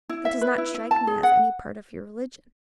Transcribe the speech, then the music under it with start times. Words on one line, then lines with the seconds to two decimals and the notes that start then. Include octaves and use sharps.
That does not strike me as any part of your religion.'
0.09 E4
0.25 E5
0.41 B4
0.58 E4
0.75 E4
0.91 A5
1.07 G#4
1.23 F#5